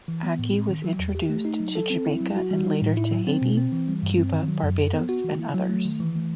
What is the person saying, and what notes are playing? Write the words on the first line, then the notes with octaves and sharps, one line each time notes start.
Ackee was introduced to Jamaica and later to Haiti, Cuba, Barbados and others.
E3
B3
A2
C4
D#3
F#3
E2
G4
A3
D#4
F#3
A4
C4
E4
F#3
F#4
G3
D#4
A2
E4
F#3
C4
B2
C4
E3
G3
G2
C4
D#3
F#3
F#2
A4
B3
F#4
E3
E4
F#3
A3
D#3
E3
A3